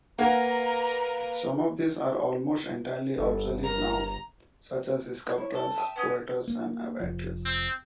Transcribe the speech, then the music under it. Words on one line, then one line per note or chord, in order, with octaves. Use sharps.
Some of these are almost entirely obsolete now, such as sculptress, poetess, and aviatrix.
A#3 A#4 B4 F#5 G#5 A#5
G1 A4
A#4 A#5
E4 C#5
A4
E5 G5 A5 D#6
B3 C#4 D#6
A#3
F1 F3
C4